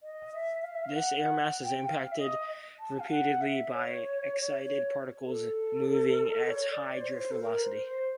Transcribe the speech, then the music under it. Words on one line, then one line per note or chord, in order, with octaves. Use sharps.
This air mass is impacted repeatedly by excited particles moving at high drift velocity.
D#5
E5
F5
E5
F5
F#5
F#5
G5
F5
E5
D#5
A5
F5
F#5
E5
C#5
C#5
A4
C#5
D5
C#5
C5
C#5
C5
A4
A#4
C5
C5